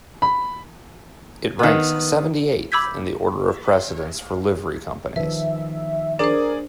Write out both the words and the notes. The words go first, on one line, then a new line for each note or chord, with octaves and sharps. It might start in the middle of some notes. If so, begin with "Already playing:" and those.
It ranks seventy-eighth in the order of precedence for Livery Companies.
B5
D#3 B3
B5 D6 E6 G6 G#6 B6
D#3 F3 B4 E5
D4 G#4 A#4 C5 D5